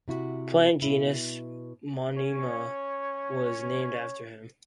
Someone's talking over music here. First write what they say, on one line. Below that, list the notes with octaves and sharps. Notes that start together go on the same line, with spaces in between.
Plant genus Monnina was named after him.
C3 E4 F#4
B2 E4
C#4 C#5